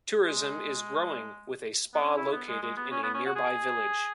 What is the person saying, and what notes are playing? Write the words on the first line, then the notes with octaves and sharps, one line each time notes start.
Tourism is growing, with a spa located in a nearby village.
G#3
B3
C#4
E4
B3
G#3
G#3
B3
C#4
B3
C#4
F#4
G#4